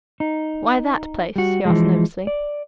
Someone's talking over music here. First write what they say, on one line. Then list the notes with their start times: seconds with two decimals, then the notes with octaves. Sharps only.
"Why that place?" he asked nervously.
0.20 D#4
1.36 G3 F#4
1.65 E3 F3 G#3
2.27 D5